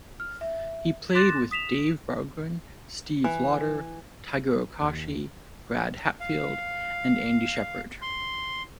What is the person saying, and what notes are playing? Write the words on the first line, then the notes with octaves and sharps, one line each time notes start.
He played with Dave Bargeron, Steve Lodder, Tiger Okoshi, Brad Hatfield, and Andy Sheppard.
F6
E5
C6 D6 F#6 A6 A#6 E7
D#6 B6 E7 F7
E3
D#2
F5
C6